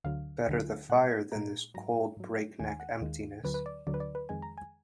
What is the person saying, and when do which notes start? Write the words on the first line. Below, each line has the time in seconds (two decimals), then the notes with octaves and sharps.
Better the fire than this cold breakneck emptiness.
0.04 D2 D3 F#3 F5
0.47 D2 D3 F#3
0.89 A#2 G#3 F#5
1.32 A#2 G#3 A#5
1.74 G#2 F#3 A#5
2.17 G#2 F#3
2.59 D#2 D#3 G#3 G#5
2.70 G#5
2.80 F#5
2.91 F5
3.01 D#2 D#3 G#3
3.43 D2 D3 F#3 B4
3.54 B4
3.66 D5
3.87 D2 D3 F#3 D5
3.94 B4
4.00 D5
4.15 B4
4.29 F2 D#3 G#3 G#5
4.42 A#5
4.58 G#5